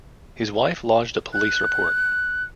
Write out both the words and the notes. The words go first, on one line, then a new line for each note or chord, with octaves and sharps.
His wife lodged a police report.
F#6